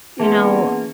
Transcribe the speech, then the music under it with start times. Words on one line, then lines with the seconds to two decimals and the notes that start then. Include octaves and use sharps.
you know,
0.20 E3 A#3 B3 C#4 G#4 E5 A5 C6